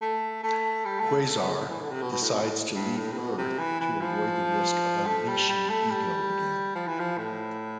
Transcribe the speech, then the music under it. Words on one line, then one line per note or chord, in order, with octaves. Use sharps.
Quasar decides to leave Earth to avoid the risk of unleashing Ego again.
A3
A3
G3
A3
A3
B3
E3
D3
C3
B2
B2
A2
B2
A2
G2
A2
C3
B2
C3
E3
E3
F3
A3
G3
G3
A3
G3
F3
E3
F3
A2